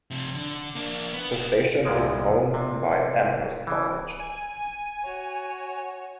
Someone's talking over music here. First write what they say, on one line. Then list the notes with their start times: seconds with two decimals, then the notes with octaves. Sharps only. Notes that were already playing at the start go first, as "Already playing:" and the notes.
The station is owned by Amherst College.
0.11 F2 C3
0.35 D3
0.75 A#3 D4
1.13 B3
1.31 B3 G4
1.85 C2 F2 A#2 D3 F3 G#3
2.54 A#1 C3
3.67 C#3 E3
4.20 G#5
5.03 F#4 C#5